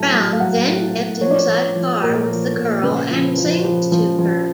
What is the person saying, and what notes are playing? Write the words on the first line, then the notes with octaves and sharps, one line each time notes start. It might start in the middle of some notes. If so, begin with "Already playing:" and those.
Brown then gets inside a car with the girl and sings to her.
Already playing: A2 F#3 A5
F#3
F5
F#3 F#5
A2
A2
F3 C#5
D5
C#5
F3
F3
A#2 A#4
F3
A#2
C#3 B4
F3
F3
F3
F3
F3